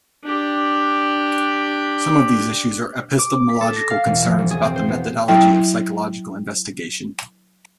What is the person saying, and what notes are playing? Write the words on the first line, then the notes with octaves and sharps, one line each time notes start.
Some of these issues are epistemological concerns about the methodology of psychological investigation.
D4 G4
D6
B6
A4
A#6
F5
E1
F3
E1
G#4
C4
C5
B3
F#3 E4 G5